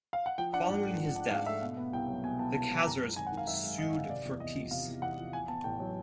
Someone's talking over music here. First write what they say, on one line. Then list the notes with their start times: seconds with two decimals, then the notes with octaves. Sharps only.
Following his death the Khazars sued for peace.
0.13 F5
0.26 F#5
0.38 F3 G5
0.53 D4 F#5
0.69 G#2
0.85 A3
1.00 F3
1.16 D4
1.31 G#2 F5
1.46 A3 E5
1.62 B2
1.77 B3
1.93 C2 G5
2.08 F#3
2.24 B2 G#5
2.39 B3 A5
2.55 C2 A5
2.70 F#3
2.86 F#2 A#5
3.01 G#3
3.16 G#1 G#5
3.27 F#5
3.32 D#3
3.37 F5
3.47 F#2 E5
3.63 G#3
3.78 G#1 D#5
3.94 D#3
4.09 C3 D5
4.25 E2
4.40 E2 D#5
4.56 F3
4.71 C3 F5
4.87 E2
5.02 E2 F#5
5.18 F3
5.33 A2 G#5
5.48 B3 A5
5.64 A1 G5
5.80 F#3